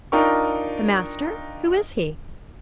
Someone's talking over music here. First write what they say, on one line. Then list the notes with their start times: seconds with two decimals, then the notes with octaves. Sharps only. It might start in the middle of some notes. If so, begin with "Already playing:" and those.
"The master?--who is he?"
0.12 D4 D#4 F4 A#4 G5 C#6